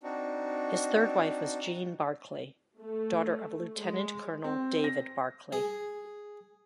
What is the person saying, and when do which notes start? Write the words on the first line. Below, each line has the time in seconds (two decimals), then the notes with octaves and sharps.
His third wife was Jean Barclay, daughter of Lieutenant-Colonel David Barclay.
0.03 C4 D4 D#4 F#4
2.79 A3
3.77 G#3
4.44 C4
4.84 A#6
5.53 G#4